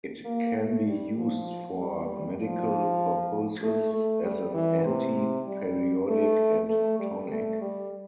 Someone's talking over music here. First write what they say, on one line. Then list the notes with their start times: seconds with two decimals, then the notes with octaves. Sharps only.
It can be used for medical purposes as an anti-periodic and tonic.
0.25 A#3
0.57 A3
0.87 G3
1.17 F3
1.79 G3
2.41 F3
3.63 A3
3.94 A3
4.23 G3
4.54 E3
4.85 C3
5.47 G3
6.08 A3
6.69 A3
6.99 G3
7.30 A3
7.61 G3